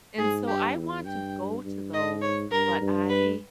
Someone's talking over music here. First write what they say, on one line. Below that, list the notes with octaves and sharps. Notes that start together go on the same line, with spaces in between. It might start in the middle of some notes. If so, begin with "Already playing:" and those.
And so I want to go to those, but I
G#2 G#4
G2 G4
E2
G2 G5
G2
G#2 D#5
C#5
G2 A#4
G2
B4